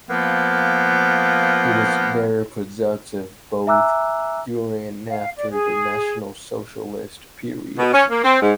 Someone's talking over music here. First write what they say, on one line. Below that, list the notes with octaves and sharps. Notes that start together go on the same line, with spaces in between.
He was very productive both during and after the national socialist period.
F3 A#3 B3
E5 G#5 A#5 D6 E6 F#6
F5
D5
G#4
B2
C#4
A#3
C4
G#2